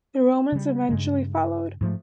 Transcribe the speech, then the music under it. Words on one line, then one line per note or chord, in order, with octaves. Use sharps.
The Romans eventually followed.
C#3 G3
G2 C#3 G#3
G#2 F3 A3